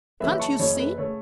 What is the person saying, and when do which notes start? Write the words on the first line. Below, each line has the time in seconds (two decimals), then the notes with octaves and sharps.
"Can't you see?"
0.20 F#1 F#2 C#3 E3 B4 E5
0.40 A5 C#6
0.59 F#1 F#2 C#3 E3 C#5
0.79 B4
0.98 C#3 A3 C#5